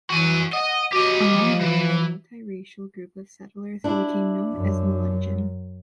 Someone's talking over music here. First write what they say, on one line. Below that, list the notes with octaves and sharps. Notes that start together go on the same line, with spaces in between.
Among them was a multi-racial group of settlers who became known as Melungeon.
E3 F#4 G#5
D#5 F#5
F#4 G4 D#5
F3
E3
D4 E4
F#2